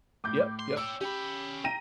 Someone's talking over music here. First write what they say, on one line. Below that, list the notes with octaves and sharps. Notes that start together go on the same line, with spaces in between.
Yep, yep.
A2 D6 G6
C6
C#5 G5 E6
C#4 G4 B5
G5 A#5 A#6 D#7